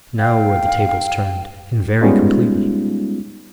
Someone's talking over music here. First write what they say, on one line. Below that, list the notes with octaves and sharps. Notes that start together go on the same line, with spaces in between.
Now were the tables turned, and very completely.
F5 G5
G3 G#3 B3 C#4 D#4 F4